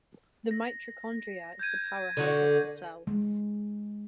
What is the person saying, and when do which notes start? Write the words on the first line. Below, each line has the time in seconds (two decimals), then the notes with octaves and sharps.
The mitochondria is the powerhouse of the cell.
0.51 A#6
1.59 G6 G#6 D#7
2.17 D3 F#4
3.07 G#3